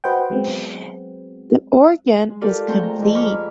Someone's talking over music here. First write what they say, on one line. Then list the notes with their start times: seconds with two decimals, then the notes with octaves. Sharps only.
The Organ is complete.
0.04 F#4 B4 C5 D#5 F#5 G5
0.30 F#3 G#3 B3 C4
2.30 G#3
2.41 F4 G4 A4 A#4 D5
2.67 G#3 A3 C4 G5 A#5 C#6
2.83 A#5
2.98 F2 G#3
3.15 A#5 B5 C#6 D6 F6